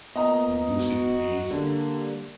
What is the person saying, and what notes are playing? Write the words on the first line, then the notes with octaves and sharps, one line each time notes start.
"Be lucid, please."
A#2 B3 D#5 A#5
F#4
D3 G3 A#3